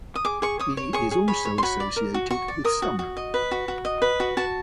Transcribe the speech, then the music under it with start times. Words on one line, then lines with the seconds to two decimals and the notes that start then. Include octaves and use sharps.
He is also associated with summer.
0.15 D#6
0.25 G#4 D6
0.42 G#4 C#6
0.59 C#5 D#6
0.77 C#5
0.93 G#4 C#6
1.11 G#4
1.28 C#5 B5
1.45 C#5
1.58 C6
1.63 F#4 B5
1.80 D5
1.96 A#4
2.14 F#4
2.31 F#4 C#6
2.48 D5
2.64 A#4 D#6
2.82 F#4
2.99 F#4
3.17 D#5
3.34 B4
3.51 F#4
3.68 F#4
3.85 D#5
4.02 B4
4.20 F#4
4.37 F#4 A5